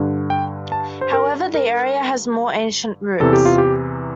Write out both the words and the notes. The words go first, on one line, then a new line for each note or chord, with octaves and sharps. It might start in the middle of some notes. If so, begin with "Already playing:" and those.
However, the area has more ancient roots.
Already playing: G2 D3
G5
A5
C5
A#4
A#4
E2 C3 E3 A4
G4
F4
G4